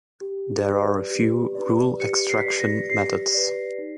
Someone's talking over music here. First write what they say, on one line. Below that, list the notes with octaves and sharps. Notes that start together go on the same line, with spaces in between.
There are a few rule-extraction methods.
G4
B4 D5
G4
B4 D5
G4 C#7
C7
B6
B4 D5 C7
A#6
G4 C7
B4 D5
D#4